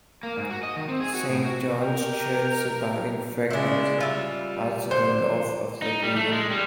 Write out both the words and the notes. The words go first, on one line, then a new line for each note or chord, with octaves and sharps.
Saint John's Church surviving fragments are to the north of the Green.
A#3
G#2
F#4
D#5
D#3
C4
G#4
F#4
A2
F#4
G4 A#4 G5
C#3 G#3 D4 E4
G3 F4 E5
D3 C5
D#4
G3
A3
G#3
G3